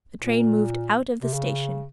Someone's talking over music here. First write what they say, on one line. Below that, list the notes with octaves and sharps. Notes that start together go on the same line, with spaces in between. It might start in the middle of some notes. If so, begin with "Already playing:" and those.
The train moved out of the station.
A#2
C3
C#3